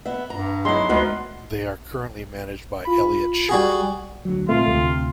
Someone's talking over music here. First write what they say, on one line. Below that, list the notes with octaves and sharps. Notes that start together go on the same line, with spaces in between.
They are currently managed by Elliott Sheeran.
B3 E5
G2 A#5
F#3 B3 D#4 E4 G#4 C6
D2 G#3 B3 A#4 B4 D5
F4 B5
G3 F#4 G#4
D2 F#3
A#2 G#3 A3 C4 F4
D2 C3